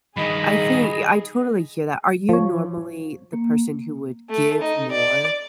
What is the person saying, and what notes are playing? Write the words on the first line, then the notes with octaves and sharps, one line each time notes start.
I think I totally hear that. Are you normally the person who would give more?
G2 D#3 G#4 D#5 B5
F3 C#5
A#3
A3
D#4
D5